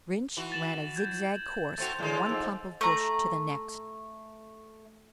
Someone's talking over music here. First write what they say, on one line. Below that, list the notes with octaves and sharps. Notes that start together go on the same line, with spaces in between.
Rynch ran a zigzag course from one clump of bush to the next.
E3 F#4
A6 E7 F#7
G6 G#6
A3 C4 F#4 A6 F7
E2 A2 G#3
F2 G#2 E6
A3 A#5